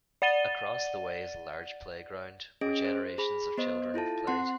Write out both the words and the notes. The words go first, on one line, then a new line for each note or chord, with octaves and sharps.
Across the way is a large playground, where generations of children have played.
D5 F#5 A6 D#7 G7
C#4 G#4 D#5 D7
C5
G#4 B5
B3 C5 D#5
E4 F4 A4 A5
C4 F#5 C6